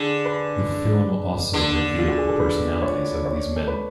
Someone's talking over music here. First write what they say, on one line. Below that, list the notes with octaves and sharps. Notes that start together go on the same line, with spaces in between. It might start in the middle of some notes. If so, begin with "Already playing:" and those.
The film also revealed the personalities of these men.
Already playing: D3 G#4
B4
D3
F4
F#4
G#4
A4
B4
C#5
C#5
A4
B4